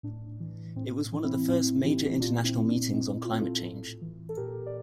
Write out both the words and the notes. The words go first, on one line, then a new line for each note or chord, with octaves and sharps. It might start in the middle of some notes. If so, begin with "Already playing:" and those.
It was one of the first major international meetings on climate change.
A2 D4
E3
A2 C4
E3
C4 E4
A2 C4 E4
E3 E4 G4
A#2 D4 F4
C4 E4
D4
A#2 C4 E4
E4
F4
C4 E4
F4 A4
A2
E3
A4
A#2 G4 A#4
D5